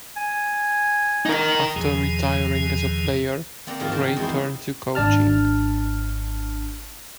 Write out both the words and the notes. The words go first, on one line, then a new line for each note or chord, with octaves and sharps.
After retiring as a player, Gray turned to coaching.
G#5
D#4 A#4
E2 B2 D#3 F3 G#4 G#5
A#3 C4 D5 F#5 A#5
G#2 D#3 F3 A#3 F4
C4 F#4 G5 A5
E2 G#3 D#4 E4 C5
G#1 D4 A5 F6